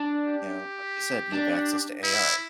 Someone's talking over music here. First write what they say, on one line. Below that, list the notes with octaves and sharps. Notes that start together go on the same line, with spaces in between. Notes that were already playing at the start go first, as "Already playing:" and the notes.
you know, like you said, you have access to AI.
Already playing: D4
G4
D4
E4